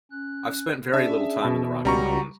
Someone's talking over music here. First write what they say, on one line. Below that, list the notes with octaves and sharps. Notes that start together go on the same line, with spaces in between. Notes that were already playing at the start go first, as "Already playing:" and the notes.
I've spent very little time in the Rocky Mountains.
C#4 F#6
C#4 D4 G#4 E5
B2 A5
C#2 G3 F#4 F#5 A#5 C#6